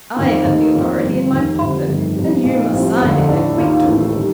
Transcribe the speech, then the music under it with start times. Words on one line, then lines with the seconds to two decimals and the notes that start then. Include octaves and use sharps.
I have the authority in my pocket and you must sign it, and quick too!
0.16 F2 D#3 A#3
0.45 D#2 D#3 A3 D#4
0.74 F2 D#3 A#3 F4
1.02 G1 G2 F3 C4
1.30 F1 D#2 D#3
1.58 F1 F2 D3 G3
1.87 G1 F2 D#3 A3
2.15 F2 C3 G3
2.43 A#2 F3 A3 D#4
2.72 A#1 A2 G3 C4
3.01 F1 D#2 D3 A3
3.29 A2 A3 D4
3.57 D#2 D#3 A#3 F4
3.85 A1 A2 A3
4.14 D#3 G3